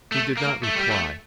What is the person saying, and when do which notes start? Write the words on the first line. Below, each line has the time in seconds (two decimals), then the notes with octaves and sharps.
He did not reply.
0.12 A3
0.37 A#3
0.63 A3
0.77 G3
0.91 A3